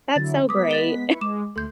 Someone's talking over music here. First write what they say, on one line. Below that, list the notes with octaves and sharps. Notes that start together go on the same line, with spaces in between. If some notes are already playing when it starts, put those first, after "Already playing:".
that's so great.
D3 F#3 E4 A6
G#3 B3 D6 D#6 B6
D#5 A6 G7
E4 B4 C#6
G#3 D6 E7
D2 A3 A4 C6 G6